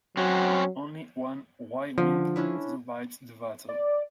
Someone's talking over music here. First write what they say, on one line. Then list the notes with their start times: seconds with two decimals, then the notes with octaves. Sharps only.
Only one Y-wing survives the battle.
0.17 F#3 C4 C#4 F#4
1.98 D3 F3
2.36 C#4 D4 E4
3.69 D5